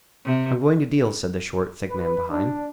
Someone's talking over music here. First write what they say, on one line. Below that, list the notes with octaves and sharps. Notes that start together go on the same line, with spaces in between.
"I'm going to deal," said the short, thick man behind.
C3
B4
D4